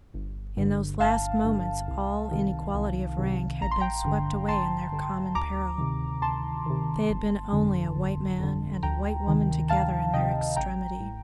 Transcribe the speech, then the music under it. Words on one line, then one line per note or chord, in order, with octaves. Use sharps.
In those last moments all inequality of rank had been swept away in their common peril--they had been only a white man and a white woman together in their extremity.
G1
G2 D3
G1 F5 A5
G2 D3
C2
C3 D#3
C2
C3 D#3
A1 A#5
C6
G5 A#5
G2 D3
A1 A5 C6
G2 D3
D2 A#5 D6
C3 D#3
D2 A5 C6
C3 D#3
G1
F2 D3
G1
F2 D3
D2 G5 A#5
C3 D#3
D2 F5 A5
C3 D#3 D#5 G5
A1 G5 A#5
A2